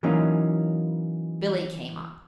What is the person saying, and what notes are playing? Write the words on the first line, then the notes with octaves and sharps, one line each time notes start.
Billie came up.
E3 F#3 A#3 C#4 D#4